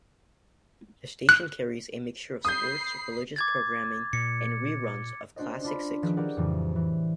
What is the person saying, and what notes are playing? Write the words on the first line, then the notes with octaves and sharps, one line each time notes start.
The station carries a mixture of sports, religious programming, and reruns of classic sitcoms.
F#6
B5 D#6 G6 C7
D6 G#6 A6
A#2 C#7
C#4 D4 F#4 C5 D5 D#5
D4 F4 B5 C6
D#3 F3 G#4 B4 D#5
E4 G4 A#4 D5 F#5
F2 A2 C#3 E3 G3
E3